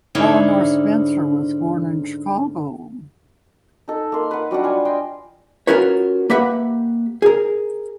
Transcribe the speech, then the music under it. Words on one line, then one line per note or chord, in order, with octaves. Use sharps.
Eleanor Spencer was born in Chicago.
G#2 D3 C#4 E4 G5
D#4 A4
A#3 C6
B4 F#5
F#3 G3 D4 F#5
F4 G#5
D#5 G5 C6
C#4 F4 F#4 A#4 B4 C#5
A#3 G4 B4 E5 F#5 B5
G#4 A#4